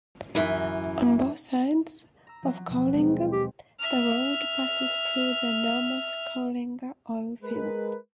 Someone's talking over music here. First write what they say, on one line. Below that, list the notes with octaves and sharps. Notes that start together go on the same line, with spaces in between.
On both sides of Coalinga the road passes through the enormous Coalinga Oil Field.
F#2 E3
A#5 E6
F3 F#3
D#2 B2
G#3 C4
G4
E5 F6
G#3 A#4 B4